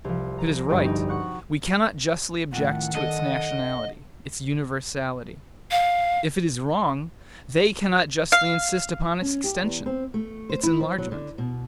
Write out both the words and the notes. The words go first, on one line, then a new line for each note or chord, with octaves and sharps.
If it is right, we cannot justly object to its nationality its universality; if it is wrong, they cannot justly insist upon its extension--its enlargement.
C2 F3
A#5
G1 G2 G3 F#4 D#5 G5
D#4
F#5 C#6 F#6
F2 A2 D#3 F#5
D4 A4 D#5
F5
F5
C#4
G4
E2
C4
A3
C5
E4
F3
F#3
D3
B2